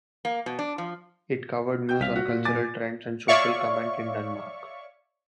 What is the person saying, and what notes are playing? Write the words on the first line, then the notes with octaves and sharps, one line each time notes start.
It covered news on cultural trends and social comment in Denmark.
A#3
B2
D4
F3
G5 G6
C2 F5 B6
F#4
A#2
G#5 D6 A6
C#5 D5 E5 F5 C#6